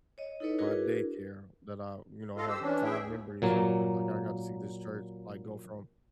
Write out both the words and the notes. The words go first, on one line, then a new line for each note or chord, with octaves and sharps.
my daycare that I, you know, have fond memories of, and, like, I got to see this church, like, go from
C#5 D#5
D#4 E4 A4 B4 C#5 D#5
D4 E4 F#4 G#4 A#4 B4
F4 A4 D#5 F5
G4 C5 E6
E3 C#4 D4
G#4 E5 G5
D#2
A#2 F#3 A#3